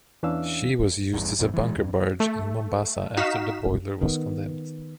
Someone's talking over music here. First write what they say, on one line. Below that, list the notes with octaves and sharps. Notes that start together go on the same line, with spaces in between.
She was used as a bunker barge in Mombasa after the boiler was condemned.
E2 E3 C#4 D4 F5 E6
A1 E2 G2
F#1 E2 C3
E3 G#3
E2 G2
A3
D#4 F#4 F5 B6 E7
D#3 B3